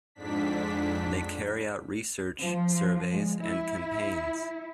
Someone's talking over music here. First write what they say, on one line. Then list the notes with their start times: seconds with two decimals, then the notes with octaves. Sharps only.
They carry out research, surveys and campaigns.
0.15 F2 G#2 D4 B6
2.39 F3
3.10 G#3
3.40 E4